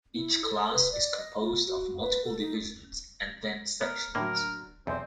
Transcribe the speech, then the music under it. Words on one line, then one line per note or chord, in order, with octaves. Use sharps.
Each class is composed of multiple divisions and then sections.
E4
A4
B4
D5
D#5
F4
F#4
B4
A4
D#4
B3 A#4
A2 D3 F#3 A#3 A#4
B1 E2 C4 D5 D#5 C6